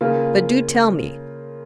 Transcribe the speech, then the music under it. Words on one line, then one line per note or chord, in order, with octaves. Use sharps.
But do tell me.
C#3 A#3 F4